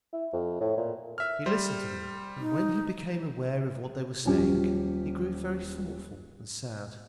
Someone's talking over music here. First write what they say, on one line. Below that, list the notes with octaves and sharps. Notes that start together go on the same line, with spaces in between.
He listened to them, and when he became aware of what they were saying, he grew very thoughtful and sad.
E4
F2
A2
A#2
E5 F6
G3 C5
D#4
D#1 F3 F#3 C#4 G4